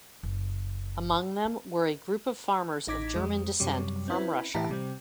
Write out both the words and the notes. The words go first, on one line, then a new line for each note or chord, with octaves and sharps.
Among them were a group of farmers of German descent from Russia.
F#1
C4
A1 D#4 D6 G#6 B6
F2 G#3
F#2 C3 F#3 G3
C4 C#4 E4 B4
A2 E3 E4 G4 A5 A#5
C3 G3 C4